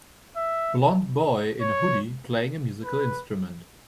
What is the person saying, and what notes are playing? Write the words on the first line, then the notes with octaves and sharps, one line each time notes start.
Blond boy in a hoodie playing a musical instrument.
E5
C#5
B4